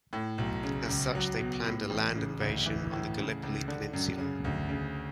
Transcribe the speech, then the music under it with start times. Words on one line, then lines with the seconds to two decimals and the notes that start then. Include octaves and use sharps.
As such they planned a land invasion on the Gallipoli Peninsula.
0.13 A2
0.38 B1
0.63 C#3
0.89 C#2
1.15 F#3
1.39 B2
1.65 A2
1.90 A1
2.15 C#3
2.40 D2
2.66 E3
2.92 A2
3.17 C#3
3.43 C#2
3.68 D3
3.93 F#2
4.18 C#3
4.44 D2
4.69 C#3